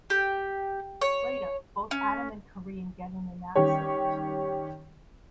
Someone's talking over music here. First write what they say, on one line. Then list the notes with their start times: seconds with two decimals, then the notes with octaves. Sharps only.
Later, both Adam and Kareem get in an accident.
0.10 G4
1.01 C#5
1.91 C#4
3.56 D#3 G3 C#4 G4 C#5